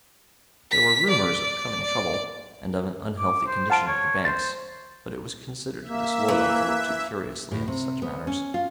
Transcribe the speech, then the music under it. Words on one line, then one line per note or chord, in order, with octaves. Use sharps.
There were rumors of coming trouble, and of an unhealthy condition of the banks; but it was considered disloyal to look too curiously into such matters.
B6
D5
D5
D6
C5
F4 F#5 A5 D7
C#5
C5 A6
A#3 E5
E3
A2
C3
B3
C#4
F4